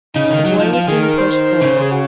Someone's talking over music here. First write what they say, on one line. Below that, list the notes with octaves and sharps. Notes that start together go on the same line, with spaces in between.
The boy was being pushed forward.
C#3 D#4
D#3
F#3
F3
F3 F4
D#3 G#4
A#4
C5
C5
C#3
G#4
F#4